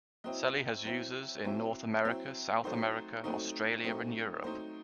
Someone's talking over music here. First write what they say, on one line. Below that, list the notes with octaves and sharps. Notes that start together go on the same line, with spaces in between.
Selly has users in North America, South America, Australia, and Europe.
F#3 C4 E4 D#5
F#3 C4 E4
F#3 C4 E4
F#3 C4 E4
F#3 A3 C4 D#4 C5
F#3 A3 C4 D#4
F#3 A3 C4 D#4
F#3 A3 C4 D#4 C5